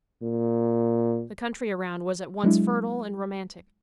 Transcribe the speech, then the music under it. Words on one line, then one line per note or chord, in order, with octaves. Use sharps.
The country around was at once fertile and romantic.
A#2
F#3 G#3 D4 E4